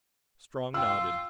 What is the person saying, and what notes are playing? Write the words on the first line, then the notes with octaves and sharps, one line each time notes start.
Strong nodded.
F4 G5 E6